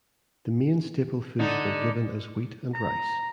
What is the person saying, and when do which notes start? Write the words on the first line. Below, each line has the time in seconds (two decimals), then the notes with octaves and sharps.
The main staple foods were given as wheat and rice.
1.39 D3 D#4
2.74 A#5